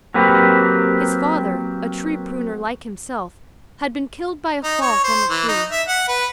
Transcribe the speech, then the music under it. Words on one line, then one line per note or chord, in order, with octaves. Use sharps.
His father, a tree-pruner, like himself, had been killed by a fall from a tree.
F#3 A#3 C4 G4 B4
D#4
C#5
C5
E3
D#4
E5
F#5
B4